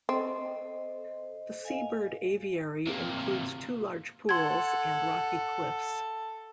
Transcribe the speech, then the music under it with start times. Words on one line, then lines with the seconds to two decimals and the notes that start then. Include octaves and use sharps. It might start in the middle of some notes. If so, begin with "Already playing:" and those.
The seabird aviary includes two large pools and rocky cliffs.
0.09 C4 A4 C5 D#5
1.65 D#5 F5 G#5
2.87 C3 A#3
4.29 A4 F#5 C6 G#6